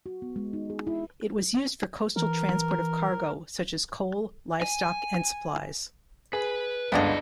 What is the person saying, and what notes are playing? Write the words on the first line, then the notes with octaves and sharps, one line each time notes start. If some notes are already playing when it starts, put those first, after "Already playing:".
It was used for coastal transport of cargo such as coal, livestock, and supplies.
F#4
B3
G#3
D#4
G#4
E4
E3 A#4
G#5
G#4 B4
G1 C#2 B3 D4 E4 D#5 A#5